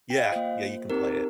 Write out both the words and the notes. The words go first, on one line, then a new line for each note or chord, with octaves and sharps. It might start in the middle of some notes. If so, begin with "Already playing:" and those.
Yeah, yeah, you can play it.
G5
F5
D#5
A#3 F4 C5
C4 D#4 G4 A#4